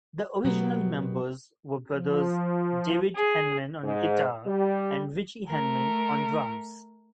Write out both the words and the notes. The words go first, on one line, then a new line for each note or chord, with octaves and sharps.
The original members were brothers David Henman on guitar and Ritchie Henman on drums.
B2 F#3 B3 G4 A#4
F3
G#4
G#2
G3
A3 A#4